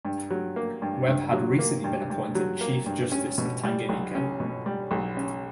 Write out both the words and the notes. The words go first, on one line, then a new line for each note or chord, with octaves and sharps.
Webb had recently been appointed Chief Justice of Tanganyika.
G2
F#3
A#3
G2
G2
F#3
A#3
G2
G2
F#3
A#3
G2
C#4
B2
G3
B1
C#4
B2
G3
B1
C#4